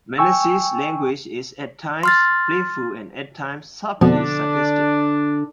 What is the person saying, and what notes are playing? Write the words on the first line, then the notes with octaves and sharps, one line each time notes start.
Menasse's language is at times playful and at times subtly sarcastic.
G5 G#5 C#6 E6
C6 F6 A6
F2 B2 D3 D4